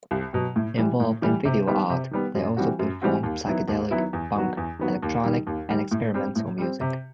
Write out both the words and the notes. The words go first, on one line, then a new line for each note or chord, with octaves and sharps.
Involved in video art, they also performed psychedelic, punk, electronic and experimental music.
C2
B2 F#3
A2
E3 G3
A2
E3 G3
C3
D#3 G3 B3
C3
D#3 G3 B3
F#2
E3 G3 C4 F#4
F#2
E3 G3 C4 F#4
D#2
D#3 F#3 B3 E4
D#2
D#3 F#3 B3 E4
E2
D#3 F#3 B3 F#4
E2
D#3 F#3 B3 F#4
D#2
D#3 G3
D#2
D#3 G3
A2
G3 C4
A2
G3 C4
C3